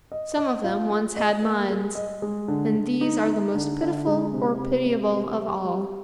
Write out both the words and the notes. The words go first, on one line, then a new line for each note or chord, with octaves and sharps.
Some of them once had minds--and these are the most pitiful or pitiable of all.
D#5
D#5
F4
G#4
D#5
A#3
G#4
D#5
G#3
D3
D3
D#4
D#4
D3
D3
G#3
C3
C3
C3
G3
G3
G3